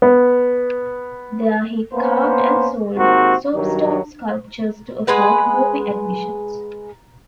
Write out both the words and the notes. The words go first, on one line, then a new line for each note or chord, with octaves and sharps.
There he carved and sold soapstone sculptures to afford movie admissions.
B3
A#3 B3 C#4 C5
D#2 G#2 C4 F#4 A#4
G2 D#3 F#3
G#3 G#4 B4 F#5